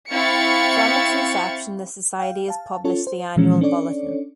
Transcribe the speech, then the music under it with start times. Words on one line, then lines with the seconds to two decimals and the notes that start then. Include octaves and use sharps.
From its inception, the Society has published the annual Bulletin.
0.11 C4 E4 F5 C#6 A6 C#7
2.19 F5 G5
2.48 F5 A5
2.84 C#4 F4 A4 C#5 A5
3.07 C5
3.36 A#2 E3 F3 G#3 C#4
3.61 C#4 D4 A4 C#5 D5